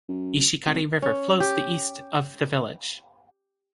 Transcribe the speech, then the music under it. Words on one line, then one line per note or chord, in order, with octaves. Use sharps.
Ishikari River flows the east of the village.
F#2
G#1
C#4
G4